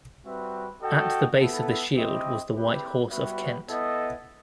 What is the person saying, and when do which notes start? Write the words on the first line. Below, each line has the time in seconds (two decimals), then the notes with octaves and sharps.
At the base of the shield was the white horse of Kent.
0.23 G3 C4 F#4 B4 E5
0.81 F#4 A4 D#5 G5
1.38 B3 E4 A4
1.95 C4 E4 G4 D#5
2.53 C4 E4 G4 B4
3.10 G3 B3 F#4 B4 E5
3.68 B3 E4 A4 D#5